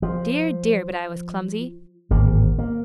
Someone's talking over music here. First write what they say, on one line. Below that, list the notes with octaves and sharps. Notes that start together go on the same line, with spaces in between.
Dear, dear, but I was clumsy!
F3
D1 G#1 A#3
A#3